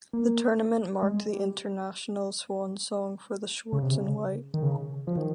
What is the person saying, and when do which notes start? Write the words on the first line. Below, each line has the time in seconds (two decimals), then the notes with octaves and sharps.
The tournament marked the international swansong for Schwarz and White.
0.13 A#3
1.03 G#3
1.33 G3
3.72 C#3
3.82 C3
3.92 C#3
4.54 D#3
4.63 C#3
5.07 F3
5.17 D#3